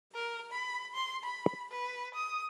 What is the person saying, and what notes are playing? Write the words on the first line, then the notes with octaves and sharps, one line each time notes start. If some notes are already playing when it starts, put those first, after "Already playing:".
Ford introduced flexibility into mass production, so that Fordism could continue to evolve.
A#4
B5
C6
B5
B4
D#6